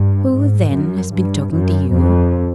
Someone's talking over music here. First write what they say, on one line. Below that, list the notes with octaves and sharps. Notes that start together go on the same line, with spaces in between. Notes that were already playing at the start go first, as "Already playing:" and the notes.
"Who, then, has been talking to you?"
Already playing: G2
G#2
F#2
G2
F#2
F2